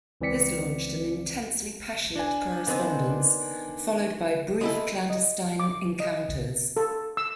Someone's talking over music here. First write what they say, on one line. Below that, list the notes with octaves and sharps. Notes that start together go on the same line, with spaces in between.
This launched an intensely passionate correspondence, followed by brief clandestine encounters.
C#2 E3 C4 D5 B6 C#7
D4 G#5
D#3 B3 C4
G#3 E4 A4
D#5
D6
D#5
A4
E6